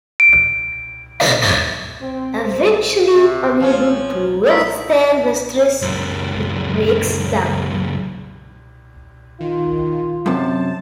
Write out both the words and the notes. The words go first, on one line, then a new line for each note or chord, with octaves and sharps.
Eventually, unable to withstand the stress, it breaks down.
D7
C4
C5
C3
F3 C#4
A3 B3 A#4 D#6 E6 B6
C#2 F#2
D#3 F4
F#2 C3 A5